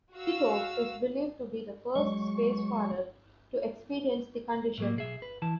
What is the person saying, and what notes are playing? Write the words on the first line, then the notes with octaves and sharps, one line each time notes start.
Titov is believed to be the first spacefarer to experience the condition.
F#4 F5 E6
F#3 G#3 C#6
A2 F#3 A#3
B1 G#4 E5
B4
E3 E4 A5